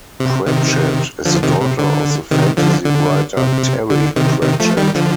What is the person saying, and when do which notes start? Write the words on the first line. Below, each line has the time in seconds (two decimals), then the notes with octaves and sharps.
Pratchett is the daughter of the fantasy writer Terry Pratchett.
0.20 C3
0.47 C3 D#3
1.25 D3 F3
1.43 C3 D#3
1.61 C3
1.79 D3
2.31 C3 D#3
2.57 D3 F3
2.85 D3
3.37 C3
3.90 D3
4.16 C3 D#3
4.42 C3 D#3
4.60 F3 A3
4.77 D#3 G3
4.95 D3 F3